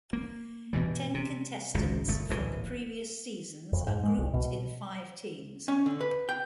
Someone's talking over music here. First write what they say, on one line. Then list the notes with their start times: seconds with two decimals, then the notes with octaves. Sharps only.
Ten contestants from the previous seasons are grouped in five teams.
0.13 A#3
0.73 G2 B2 E3 G3
1.14 C3
1.75 G#1 C#2 A#2
2.07 G1 C2 A3
2.29 D1 A#1 G#2 E3
3.73 F2
3.86 G#2
4.03 G#3
4.18 C2
4.33 B2
5.68 C#4
5.86 D3
6.01 B4
6.29 G5